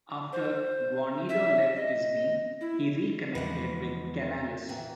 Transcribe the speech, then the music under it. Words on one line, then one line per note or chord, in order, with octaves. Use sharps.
After Guarnido left Disney, he reconnected with Canales.
C5
E5
D#5
E4
E2 C#3 E3 F3 G#3 B4 F#5
A#2 D#3 E3